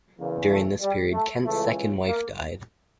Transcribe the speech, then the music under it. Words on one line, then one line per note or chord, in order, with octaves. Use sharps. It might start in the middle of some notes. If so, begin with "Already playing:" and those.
During this period, Kent's second wife died.
E2 C#3 E3 A#3
A3
G3
A3
C#2 C#3 E3 A3
A#3